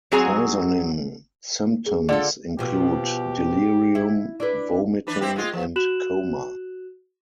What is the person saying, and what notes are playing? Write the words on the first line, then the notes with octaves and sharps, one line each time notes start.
Poisoning symptoms include delirium, vomiting, and coma.
F#3 C4 F#4 G#4 G#5 A#5
G#4
D3 F4 A4 D5
B2 F3 G4
E4
D4 E4 B4
E3 D4 B4
C4 E4 G4
G#3 F4
F3
F#4 F#6 E7 F#7